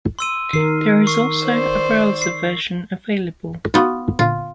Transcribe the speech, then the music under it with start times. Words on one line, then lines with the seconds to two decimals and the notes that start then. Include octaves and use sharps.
There is also a browser version available.
0.19 C6 E6 D#7
0.53 D#3 A#4 C7
1.07 C#6 C7
1.44 C5 D5
2.22 C7
3.74 B3 D#4 F4 F#4 C#6
4.19 A#2 D3 F4